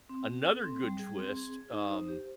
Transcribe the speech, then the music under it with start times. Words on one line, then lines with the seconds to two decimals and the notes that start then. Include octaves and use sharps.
Another good twist, um,
0.09 C4
0.27 C4
0.45 A4
0.64 C4
0.83 G3
0.99 G#4
1.18 C4
1.36 G#4
1.54 G#4
1.72 D#4
1.90 C5
2.08 G4